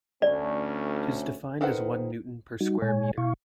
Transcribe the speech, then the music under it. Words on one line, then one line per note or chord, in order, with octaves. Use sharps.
It is defined as one newton per square metre.
D2 A3 C#4 D5
D#3 A4 B4 C5 F#5
G3 D#4 F#4
A#2 G#3 C#5 G#5
B2 E4 F5 C#6